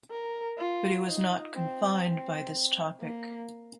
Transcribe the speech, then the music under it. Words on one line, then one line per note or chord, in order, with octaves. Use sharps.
But he was not confined by this topic.
A#4
F4
D#4
C4
C4
A#3